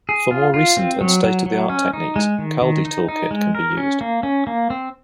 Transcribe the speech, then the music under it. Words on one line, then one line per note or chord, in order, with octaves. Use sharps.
For more recent and state-of-the-art techniques, Kaldi toolkit can be used.
G#4
F4
F4
C4
F#3
F#3
F#3
C#4
D#4
G#3
D#3
D#3
D#4
D#4
G#3
A#4
C#4
A#3
C#4
A#3
C4